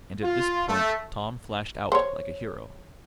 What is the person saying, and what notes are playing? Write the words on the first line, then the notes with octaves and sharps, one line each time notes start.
And at this point Tom flashed out like a hero.
F4
A3
C5 C#5